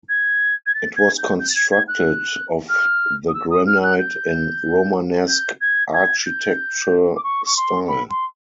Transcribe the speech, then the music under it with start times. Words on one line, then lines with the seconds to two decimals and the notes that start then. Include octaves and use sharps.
It was constructed of the granite in Romanesque architecture style.
0.09 G#6
0.66 G#6
0.74 A6
0.96 G#6
1.18 G6
1.39 G6
1.50 A6
1.55 G#6
1.71 G#6
1.88 F#6
2.69 F6
3.28 D#6
3.34 E6
3.50 D#6
3.67 F6
3.83 F#6
3.99 G6
5.28 G6
5.61 G#6
5.94 G#6
6.26 G6
7.16 D6
7.24 C#6
7.46 C#6
7.57 C6
7.88 B5
8.10 C6